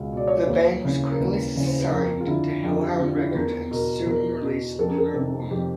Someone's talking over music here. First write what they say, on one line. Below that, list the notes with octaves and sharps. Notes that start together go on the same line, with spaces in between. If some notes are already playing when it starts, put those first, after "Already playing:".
The band was quickly signed to Hellhound Records and soon released Lunar Womb.
Already playing: C#2 B2
B2 D5
C#5
C5
D#2 B4
C#3 E3
A#4
D#2 B4
C#3 E3
C5
B4
F2 A#4
F4
D3 E4
F2 F4
G4
D3 F4
E4
B4
E2 A#4
B2 A#4
E2 A#4
B2
F2 A4
A#4
A4
C3 D#3 A4
F2 G4